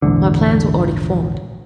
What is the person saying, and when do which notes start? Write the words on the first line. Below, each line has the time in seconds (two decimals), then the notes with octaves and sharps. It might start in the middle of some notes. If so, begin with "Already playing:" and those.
My plans were already formed.
0.02 A#1 E2 G#2 D3